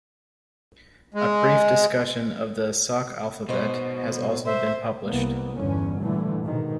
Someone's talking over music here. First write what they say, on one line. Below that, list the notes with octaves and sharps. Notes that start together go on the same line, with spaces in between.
A brief discussion of the Sauk alphabet has also been published.
G#3
G#2 B2 C5
C5 E5
C2 A#3 B3
G1 E2 D3 C#4
G2 A#2 D3 E3 A3
G#2 B2 D#3